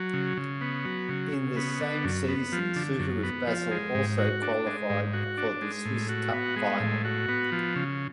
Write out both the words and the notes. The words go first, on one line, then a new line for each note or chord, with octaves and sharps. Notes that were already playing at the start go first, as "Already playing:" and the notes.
In this same season Suter with Basel also qualified for the Swiss Cup final.
Already playing: F#3
C#3
C#3
B3
F#3
C#3
C#3
B3
D3
F#2
B3
F3
D3
F#2
B3
F3
G#3
G#2
F#4
D4
G#3
G#2
F#4
D4
G#3
A2
F#4
B3
G#3
A2
F#4
B3
F3
C#3